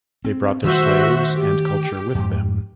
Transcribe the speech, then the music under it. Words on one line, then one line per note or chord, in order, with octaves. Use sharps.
They brought their slaves and culture with them.
C4
D#3 G3 A3 F#4 C5 E5
G4
F2 G#2